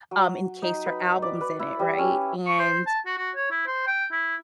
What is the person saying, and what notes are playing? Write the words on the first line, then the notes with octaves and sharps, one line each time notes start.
um, encased her albums in it, right? And,
F#3
D#4
B4
D5
B4
E4
G3
C#4
C#6
C5
A5
F#4
F#4
C#5
E4
C5
G5
E4